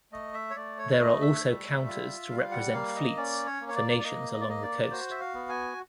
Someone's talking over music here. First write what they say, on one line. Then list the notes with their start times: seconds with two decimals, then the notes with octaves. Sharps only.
There are also counters to represent fleets for nations along the coast.
0.12 A3 D#5
0.34 E5
0.50 C#5
0.55 A3 D5
0.78 C#5
0.99 A3 D#5
1.21 E5
1.43 G3
1.86 F4
2.30 G3 F5
2.51 F#5
2.74 A#3 F5
2.95 D#5
3.17 C#4 D5
3.45 C#5
3.61 A#3
3.69 C#5
3.75 D5
4.00 D5
4.04 A#3 D#5
4.33 D#5
4.40 D5
4.48 A#3 D#5
4.62 D5
4.90 F#4 C5
5.11 E5
5.20 F5
5.34 B3
5.49 G#5